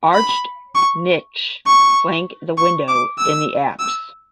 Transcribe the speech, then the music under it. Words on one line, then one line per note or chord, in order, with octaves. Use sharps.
Arched niches flank the window in the apse.
B5
C#6
C#6
C#6
D6
E6
E6